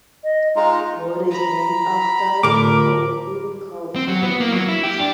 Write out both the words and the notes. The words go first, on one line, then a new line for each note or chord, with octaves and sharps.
Daud is named for the biblical figure David.
D#5
G#3 D#4 F4 A#5
A#5 B5
A2 D3 F3 A3 A#4 D6
C4
F#3
B3
A#3
F#3
E4
G4
D4